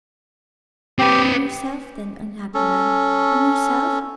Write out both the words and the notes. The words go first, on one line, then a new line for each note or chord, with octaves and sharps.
"On yourself, then, unhappy man; on yourself?"
C4 G4 B4
C#4 A4